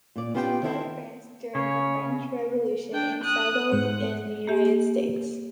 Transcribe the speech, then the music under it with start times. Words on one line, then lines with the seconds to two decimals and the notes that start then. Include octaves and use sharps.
He fled France during the French Revolution and settled in the United States.
0.16 A#2 D5
0.34 B3 F4 G4 C5 D#5 G5
0.62 D#3 C4 E4 A4 C5
1.55 C#3 C#5
2.93 D4 G5
3.24 D#6 F#6
3.71 G#2 G#3 C5 F#5
4.47 A#3 G4